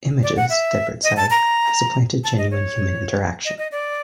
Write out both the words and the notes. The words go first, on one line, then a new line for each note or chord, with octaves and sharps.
Images, Debord says, have supplanted genuine human interaction.
D5
F#5
E5
D#5
A5
A#5
A5
D#5
C#5
D#5
D#5
D5